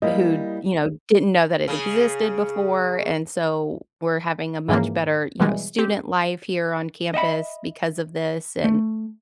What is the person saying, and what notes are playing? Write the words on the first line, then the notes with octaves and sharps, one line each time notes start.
who," you know, "didn't know that it existed before, and so we're having a much better," you know, "student life here on campus because of this, and"
G3 A#3 E4 D#5
C#3 G#4
G#2 C#3 E3 F3 A#3
B2 E3 G3 G#3
C4 G4
D#5 E5 F#5 B5
A3